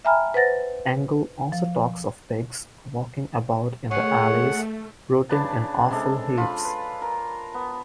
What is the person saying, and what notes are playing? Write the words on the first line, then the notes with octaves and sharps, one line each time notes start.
Engels also talks of "pigs walking about in the alleys, rooting in offal heaps".
E5 G5 G#5 A#5 B5 F6
B4 C5 F#5 A6 A#6
F3
D#3 A3 G#4 C#5 F#5
C#3 D4 B4 A5
C3 G#3 D4 A4
F4 B5
B4
A#4
B3